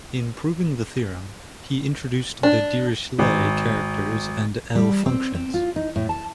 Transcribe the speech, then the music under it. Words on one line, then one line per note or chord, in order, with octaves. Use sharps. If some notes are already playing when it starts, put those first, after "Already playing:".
In proving the theorem, he introduced the Dirichlet characters and L-functions.
D4
G#1
G3
C4
C4
F4
D#4
A2
A5